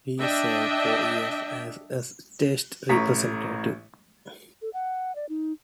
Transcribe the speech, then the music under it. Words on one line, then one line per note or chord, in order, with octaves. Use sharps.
He served four years as a state representative.
D4 D#5 E5 G5
A1 A2 A#5 C#6 B6
A4
F#5
D5
D#4